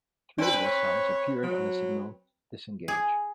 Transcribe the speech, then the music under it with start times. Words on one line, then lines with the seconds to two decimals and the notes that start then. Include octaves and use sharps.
Three of those songs appeared on the single "Disengage".
0.38 C4 D4 B4
0.64 C#5
1.43 F#3
2.88 G#4